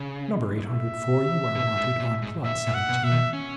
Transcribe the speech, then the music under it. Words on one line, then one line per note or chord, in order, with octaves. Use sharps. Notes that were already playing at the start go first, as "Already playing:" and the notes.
"Number Eight Hundred Four, you are wanted on Plot Seventeen."
Already playing: C#3
E5
B2
G#2
A#2
G#2
A#2 E5
A#2
F#5
B2
E5
D#3
C#4